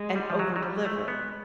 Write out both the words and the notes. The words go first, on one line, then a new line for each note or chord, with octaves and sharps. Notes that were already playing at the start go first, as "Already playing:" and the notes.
and overdeliver.
Already playing: G#3
G3
F3
F#3
F#3
G3
G#3 A3
B3